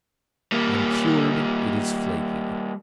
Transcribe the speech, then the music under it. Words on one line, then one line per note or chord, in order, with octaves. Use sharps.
When cured it is flaky.
G3 A#3